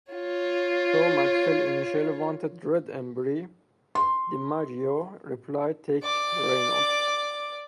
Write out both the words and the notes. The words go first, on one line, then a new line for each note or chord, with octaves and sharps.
Though MacPhail initially wanted Red Embree, DiMaggio replied: Take Reynolds.
F4 C#5
C6
D5 D6